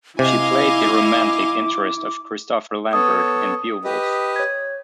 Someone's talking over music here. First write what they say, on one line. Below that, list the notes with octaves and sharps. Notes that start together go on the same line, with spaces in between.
She played the romantic interest of Christopher Lambert in "Beowulf".
C3 E4 D#5 F5 G#5 D6
B3 A4 C#5 D#6
G4 B4 D#5
C#5 G#6